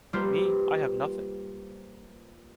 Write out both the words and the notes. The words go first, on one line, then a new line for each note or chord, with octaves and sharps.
Me, I have nothing!
G3 A#3 F4 B4 C5